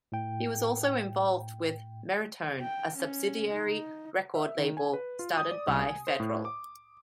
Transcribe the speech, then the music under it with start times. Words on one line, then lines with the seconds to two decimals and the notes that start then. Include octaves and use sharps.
He was also involved with Merritone, a subsidiary record label started by Federal.
0.12 A2 G5
2.61 G5
2.96 C#4
3.53 D#4
4.35 E5
4.59 D#3
4.77 G#5
4.93 B4
5.19 F4
5.37 D#6
5.51 D5
5.68 C2
5.84 G#5
6.07 C5
6.20 A2
6.45 D6